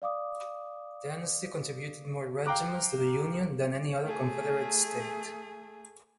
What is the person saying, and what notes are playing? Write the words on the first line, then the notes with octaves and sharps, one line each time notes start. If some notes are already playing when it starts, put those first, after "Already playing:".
Tennessee contributed more regiments to the Union than any other Confederate state.
D5 F5 D6 D#6
F5 G5 A#5 D6 F#6
A3 G#4